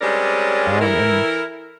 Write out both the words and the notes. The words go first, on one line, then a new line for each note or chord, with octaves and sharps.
um, and
G3 G#3 C4 C#4 A#4 D5
E3 E4 A4 A#4